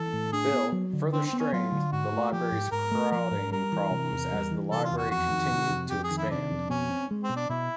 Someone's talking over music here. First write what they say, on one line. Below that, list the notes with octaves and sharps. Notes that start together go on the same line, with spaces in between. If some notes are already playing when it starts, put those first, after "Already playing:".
Bill, further strained the Library's crowding problems as the library continued to expand.
Already playing: E3 A4
A2
D4 G#4
B3
F#3
D3
C4 D4
C4
B3
C#4
F#3 F4
D3
G#2 F#4
A3
F3 G4
G#2
G#2 A#4
A3
F3 A#4
G#2
G3 A#4
E3
C3
E2
G3
E3
C3 A4
F4
E2
F#4
F2 F#4
D#3
C3
F2
F2 G4
G#4
D#3
E4
C3 D4
F2
B2 C#4
C4
G#3
C4
B2
D4
B2 E4